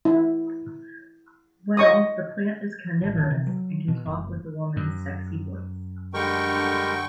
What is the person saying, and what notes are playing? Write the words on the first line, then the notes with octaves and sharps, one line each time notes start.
Well, the plant is carnivorous and can talk with a woman's sexy voice.
E4
D#5 C#6 D#6
A1 F3
D2 D3
C3
F#3
B2
F#1
F#2
D3 G3 G#3 A#4 G5 C#6